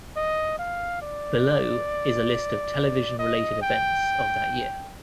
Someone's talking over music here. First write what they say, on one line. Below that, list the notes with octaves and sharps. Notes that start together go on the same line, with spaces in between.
Below is a list of television-related events of that year.
D#5
F5
D5
D#5
G5